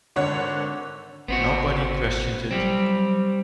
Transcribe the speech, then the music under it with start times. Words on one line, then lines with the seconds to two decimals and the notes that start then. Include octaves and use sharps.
Nobody questioned it.
0.16 G#1 D3 C#5 F#5
1.28 G#1 B3 C4 F#4
2.51 F#3 G3 C4